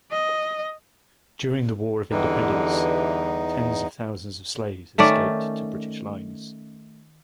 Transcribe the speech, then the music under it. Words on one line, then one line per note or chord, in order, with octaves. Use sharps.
During the War of Independence, tens of thousands of slaves escaped to British lines.
D#5
E2 D3 E3 G3 D#4
D#3 A3 C#4 D5